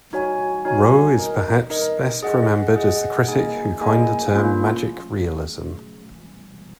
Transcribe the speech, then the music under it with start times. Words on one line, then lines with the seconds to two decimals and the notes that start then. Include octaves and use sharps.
Roh is perhaps best remembered as the critic who coined the term magic realism.
0.13 D#4 F#4 C#5 G#5
0.65 D#4 F#4 C#5 G#5
1.18 D#4 A#4 D#5
1.70 D#4 A#4 D#5
2.23 G#4 D#5 F#5
2.76 G#4 D#5 F#5
3.28 A#3 D#4 G#4 D#5 G#5
3.81 A#3 D#4 G#4 D#5 G#5
4.34 A#3 C#4 F4